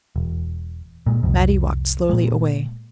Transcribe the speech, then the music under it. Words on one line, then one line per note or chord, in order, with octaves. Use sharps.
Mattie walked slowly away.
E1
A#2 G#3
C2 F2
A#2 G#3